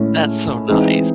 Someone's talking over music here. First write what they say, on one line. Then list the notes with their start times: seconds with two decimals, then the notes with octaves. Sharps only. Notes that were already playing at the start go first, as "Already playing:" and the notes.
That's so nice.
Already playing: A2 G#3 C#4 E4 A4
0.68 E3 G#3 C4 D#4 G#4